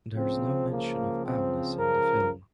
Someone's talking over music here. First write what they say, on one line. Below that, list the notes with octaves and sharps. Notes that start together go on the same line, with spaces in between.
There is no mention of Bowness in the film.
C#2 C#3 F3 C4
A#3
C4
A#4